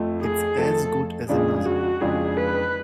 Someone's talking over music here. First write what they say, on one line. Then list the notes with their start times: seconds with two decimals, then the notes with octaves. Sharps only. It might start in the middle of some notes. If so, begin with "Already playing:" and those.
It's as good as another.
Already playing: F2 F3 A3
0.22 G#4
0.57 F2 F3 A3 A4
1.29 F2 C#3 G#3 D4 F4 G#4
1.66 F#4
2.01 F2 C#3 G#3 D4 F4 G#4
2.37 B4